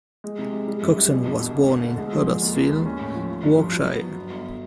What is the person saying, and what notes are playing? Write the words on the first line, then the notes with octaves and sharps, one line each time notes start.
Coxon was born in Huddersfield, Yorkshire.
G#3
C3
G#3
G3
F#2
G3
B2
E1
B2
D2
D2
D3
G#3
F3
G#3
D#2
D#2
D#2
C#4
A2
F3
F3
G2
F3
F#3
B3
F#3
G1
G1